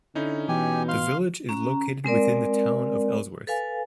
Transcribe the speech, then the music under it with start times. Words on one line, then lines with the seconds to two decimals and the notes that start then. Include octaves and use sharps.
The village is located within the Town of Ellsworth.
0.15 D3 C#4 D#4 E4
0.49 B2 E3 G4 G#5
0.88 F5 C6
1.49 C#4 A#5
2.05 G#3 C4 A#4 D5
3.47 A4 B4 F5 G#5